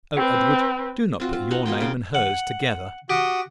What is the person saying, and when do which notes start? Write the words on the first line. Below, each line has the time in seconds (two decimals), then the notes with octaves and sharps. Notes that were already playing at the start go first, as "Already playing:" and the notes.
"Oh, Edward, do not put your name and hers together!"
0.17 C4 B4
1.20 C4 F4 F#4
1.33 F4
1.51 D#4 F#5 A#5
1.65 B2 A#3 F4 G5
1.80 C#3 G5
2.15 F#5
3.10 F#4 G4 D#6